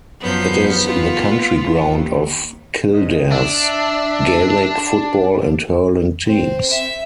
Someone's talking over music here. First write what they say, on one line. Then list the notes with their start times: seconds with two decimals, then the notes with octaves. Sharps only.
It is the county ground of Kildare's gaelic football and hurling teams.
0.21 F#2 F3 B3 G6
0.84 F4
1.86 D#2
2.94 E2 G#2 D#5
3.32 D4 E5
6.25 C4
6.70 E5